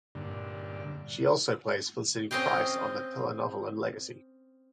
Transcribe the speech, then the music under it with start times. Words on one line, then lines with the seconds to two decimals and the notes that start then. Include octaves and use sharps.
She also plays Felicity Price on the telenovela Legacy.
0.15 G2 A#2 D3
2.31 C4 C#4 D#5 F5 G5